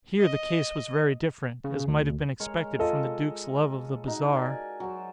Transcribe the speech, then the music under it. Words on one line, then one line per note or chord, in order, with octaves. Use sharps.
Here the case was very different; as might have been expected from the duke's love of the bizarre.
D#5
C#3
D2
G#3 A#4 C#5
F4 A4 D#5
D#4 F#4
A#4 D5 G#5
F#3 C5